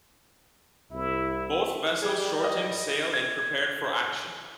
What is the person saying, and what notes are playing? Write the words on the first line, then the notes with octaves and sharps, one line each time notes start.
Both vessels shortened sail and prepared for action.
C2 E4
G3 G#4
D#5
G#6